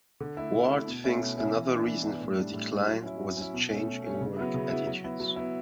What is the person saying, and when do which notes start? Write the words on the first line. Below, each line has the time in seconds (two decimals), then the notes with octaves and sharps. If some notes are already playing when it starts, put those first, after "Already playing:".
Ward thinks another reason for the decline was a change in work attitudes.
0.20 D3
0.37 A3 E4
0.54 D3
0.71 A3 E4
0.87 B2
1.04 A3 C#4 E4
1.20 B2
1.37 A3 C#4 E4
1.54 E3
1.70 B3 D4
1.87 E3
2.03 B3 D4
2.21 A2
2.37 G3 D4
2.53 A2
2.70 G3 D4
2.86 F#3
3.03 C#4 E4
3.21 F#3
3.36 C#4 E4
3.54 B2
3.71 A3 C#4
3.87 B2
4.04 A3 C#4
4.21 C#3
4.37 F#3 B3 E4
4.54 C#3
4.70 F#3 B3 E4
4.87 F#3
5.04 B3 E4
5.20 F#3
5.36 B3 E4